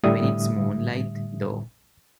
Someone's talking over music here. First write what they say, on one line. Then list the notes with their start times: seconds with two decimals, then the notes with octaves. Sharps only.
When it's moonlight, though?
0.03 A2 D3 G3 E5 D#6